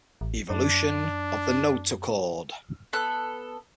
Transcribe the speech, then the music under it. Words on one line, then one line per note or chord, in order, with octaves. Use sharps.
Evolution of the notochord.
A1
F#2 D4
B3 A4 F#6